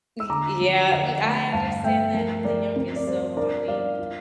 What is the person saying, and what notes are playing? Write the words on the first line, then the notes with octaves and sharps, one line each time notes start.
Y yeah, m I understand that I'm the youngest, so I mean
E6
D3 A#5 D6
F3
D3
A3
G2 F5 A5
A3 E5 G5
F3 A#4
F3 A#4 D5
C4 A#4
D5
G3 C5
D4 A#4 D5
G3 D5 F5
F4